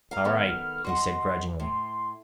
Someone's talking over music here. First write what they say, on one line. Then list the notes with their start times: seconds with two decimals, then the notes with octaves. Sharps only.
"All right," he said grudgingly.
0.11 F5 A#5 F6
0.25 D#3 B3 A4
0.85 F#4 D#5 F#5 C6
1.60 A2 C6